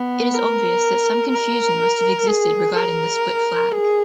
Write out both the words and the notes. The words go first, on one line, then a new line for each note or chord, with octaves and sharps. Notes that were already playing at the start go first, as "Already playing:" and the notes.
It is obvious that some confusion must have existed regarding the "Splitflag".
Already playing: B3
A#4
A#4
G#4
A#4
G#4